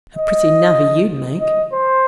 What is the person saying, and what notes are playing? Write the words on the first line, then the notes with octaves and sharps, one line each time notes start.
'A pretty navvy you'd make!
D#5
D#5
C5